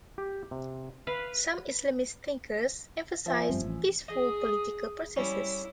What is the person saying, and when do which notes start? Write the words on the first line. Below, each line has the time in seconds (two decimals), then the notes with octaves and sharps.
Some Islamist thinkers emphasize peaceful political processes.
0.18 G4
0.51 C3
1.07 B4 F5
3.26 F3 E5 G#5
3.50 G2 G3 C4
3.61 A1
4.08 G#4 D#5 D#6
5.16 G3 C#4 E4